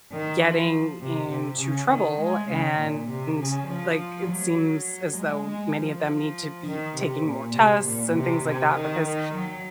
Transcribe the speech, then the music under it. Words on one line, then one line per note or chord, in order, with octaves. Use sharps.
getting into trouble, and, like, it seems as though many of them need to be taking more tests and things like that, because
D#3
F3
C3
C3
C#3
D#3
G#3
C#3
A#2
C3
C#3
F3
F#3
G#3
G#3
F3
D#3
C3
A#2
C3
A#2
C3
C3
D#3
D#3
F#3